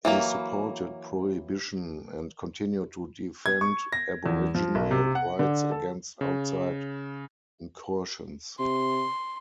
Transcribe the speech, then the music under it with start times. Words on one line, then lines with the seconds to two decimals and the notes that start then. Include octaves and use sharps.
He supported prohibition, and continued to defend aboriginal rights against outside incursions.
0.05 E3 F#3 A#3
3.46 G#6
3.61 C#6
3.92 A#6
4.26 E2
4.55 F3
4.75 B1
4.91 C3
5.15 F#5
5.39 D3
5.71 A4
6.21 C#3
8.59 C3 C6